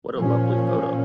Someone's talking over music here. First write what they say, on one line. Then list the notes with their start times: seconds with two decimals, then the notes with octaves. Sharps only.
What a lovely photo.
0.17 A#2 F3 C#4